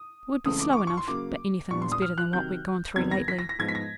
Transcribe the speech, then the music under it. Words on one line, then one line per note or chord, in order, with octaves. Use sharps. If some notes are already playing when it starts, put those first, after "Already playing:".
It would be slow enough, but anything was better than what we'd gone through lately.
Already playing: D#6
C#2 C#3 E3 A3 C4 D#6
D6
C#6
D6
C#6
C6
C#3 F#3 A#3 D6
A#2 G3 B3 D4 C#6
C6
D#6
F6
F#6
C3 D#3 F#3 G6
E2 C3 D#3 G3 B3 G#6
A#6
B6
A#6
A#6
G#2 F3 G#3 B3 G#6
B6
A#6